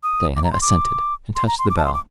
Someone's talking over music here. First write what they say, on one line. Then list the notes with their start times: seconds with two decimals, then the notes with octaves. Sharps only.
Diana assented, and touched the bell.
0.03 D#6
0.36 D6
0.44 A#5
0.52 C6
0.62 D6
1.36 C6
1.47 A#5
1.59 C6
1.70 D6
1.78 A5
1.86 C6
1.94 D6